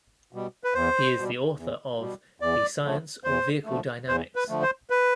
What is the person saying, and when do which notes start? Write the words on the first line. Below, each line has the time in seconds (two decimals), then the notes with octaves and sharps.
He is the author of "The Science of Vehicle Dynamics".
0.33 B2 G3
0.64 B4
0.74 E2 C5
1.16 B2 G3
1.57 E2
1.98 B2 G3
2.40 E2 D5
2.83 D3 F3 A3
3.24 E2 C5
3.65 D3 F3 A3
4.07 E2 C5
4.36 B4
4.48 D3 F3 A3
4.62 C5
4.90 B4